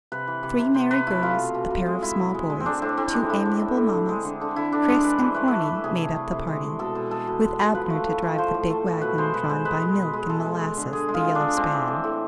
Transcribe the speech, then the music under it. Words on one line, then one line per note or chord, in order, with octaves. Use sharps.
Three merry girls, a pair of small boys, two amiable mammas, Chris and Corny, made up the party, with Abner to drive the big wagon drawn by Milk and Molasses, the yellow span.
C3 B4
E3
C3
C3
C3 C5
C3 B4
A3 E4
C3 F4
B2
B2
B2
G#3
G#3 E4
B2
G#3
G#3
C4
A2 D4
A2 C4
A2 C4
G#3 D4
A2 E4
A2
A2
A2
D3
G#3
D3
D3
D3 E4
D3 D4
G#3 E4
G#3 B4
E3 C5
A3 B4
A3 A4
B4
A3
C3 G#4
C3
A3
C3
G#3
G#3
B2 A4
B2
G#3 A4
B2
G#3
B2
F3 B4
A3
A2
F3
F3 C5
A2
A3
A2
B2 B4
G#3 C5
B2 B4
G#3 C5
G#3 B4
G#3
B2
G#3
G#3 A4
G#3
G#3
D3
G#3 G#4
G#3
F4
G#3
D4
G#3
G#3 C4
E3
A2
A2